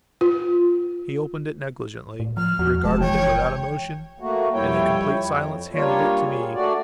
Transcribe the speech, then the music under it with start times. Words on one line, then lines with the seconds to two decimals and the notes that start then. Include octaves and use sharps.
He opened it negligently, regarded it without emotion, and, in complete silence, handed it to me.
0.21 F4
2.20 A2
2.37 F3 F6
2.59 E2 F3 F#4
2.84 E1 G#3 A5
3.01 F#1 E3 C#5 G5
4.20 A3 A#3 F#4
4.54 F2 G3 E4 C#5 G5
5.20 F2
5.74 G3 A#3 D4 F4 C#5
6.24 G#4
6.54 A3 D4 F#4 D5